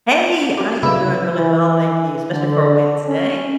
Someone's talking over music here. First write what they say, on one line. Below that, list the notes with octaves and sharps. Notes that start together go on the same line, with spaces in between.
Hey, I am doing really well, thank you, especially for a Wednesday.
C#5 D5 E5 A5
F#4 G4 A#4
C#3 E4 G#4 A4 B4 D5 F5 E6
E3
D3
C#4